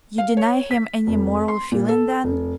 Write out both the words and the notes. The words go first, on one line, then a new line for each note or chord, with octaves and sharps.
You deny him any moral feeling then?
F5
C#5
B6
F1
C6
A#2
A4
F1